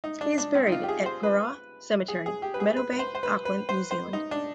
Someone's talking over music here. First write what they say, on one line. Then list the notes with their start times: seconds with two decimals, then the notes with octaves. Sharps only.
He is buried at Purewa Cemetery, Meadowbank, Auckland, New Zealand.
0.04 D#4
0.21 D4
0.38 D4
0.55 C4
0.67 D#4
0.72 F4
0.83 G4
0.89 G#4
1.06 C5
1.23 B4
2.08 G#4
2.26 G#4
2.42 G4
2.54 B4
2.60 G#4
2.76 B4
2.92 B4
2.99 C5
3.15 C5
3.23 B4
3.45 B4
3.69 C5
3.91 C5
4.13 D#4
4.31 D4